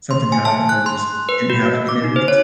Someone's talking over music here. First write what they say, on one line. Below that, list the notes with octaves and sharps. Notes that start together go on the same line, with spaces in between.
something happen where you just didn't have good neighbors?
C6
G#5
A5
F#6
C6
B4
F#4
A#3
D6
D#4
C5
C#5